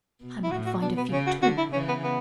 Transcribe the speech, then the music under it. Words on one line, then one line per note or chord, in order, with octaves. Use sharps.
"I might find a few, too."
B2
E4
A2 F#4
F#4
B2 D4
B3
C#3 C#4
F#4
D3 F#4
E4
C#3 E3 C#4
B3
B3